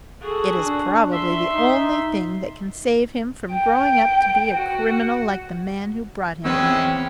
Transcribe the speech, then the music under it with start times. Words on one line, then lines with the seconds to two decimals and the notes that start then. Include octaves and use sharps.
It is probably the only thing that can save him from growing up to be a criminal like the man who brought him here.
0.22 F#4 G#4 A4
0.57 D4
1.12 E5 C6
1.48 D#4
3.53 G5
4.55 F#4
6.45 E2 G#3 C4 C#4 B4 D5 G5 E6